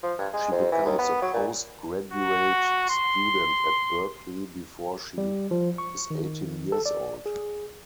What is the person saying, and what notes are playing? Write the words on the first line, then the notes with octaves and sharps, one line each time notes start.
She becomes a post graduate student at Berkeley before she is eighteen years old.
F3
G2
G#3
F2
E3
D#2
B3
F#3
A#2
F#4
C6
G3
F3
C#6
D#3
A4
D5
G#4